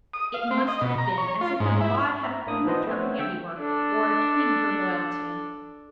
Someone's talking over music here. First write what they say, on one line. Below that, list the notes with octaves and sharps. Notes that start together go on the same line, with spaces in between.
It must have been as if a god had approved her handiwork or a king her loyalty.
D#6
F5
C4
D#5
B2
A#5
C#5
F4
G#2
E4
E5 A#5 B5
A2 A#3 D4 D#6
E3 F3 B3 B4 C5 D#5
A3 B3 C4 C5 C#5
D3 G5 E6
D4 A4